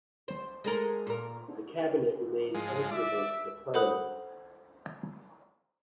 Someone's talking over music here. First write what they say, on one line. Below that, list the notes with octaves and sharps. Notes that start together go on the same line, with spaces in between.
The cabinet remains answerable to the Parliament.
C5
G#3 A4 A#4
A#2 A#4
G#2 F3 G#3
D5 E5
A4 C5 F#5 B5 D#6 F#6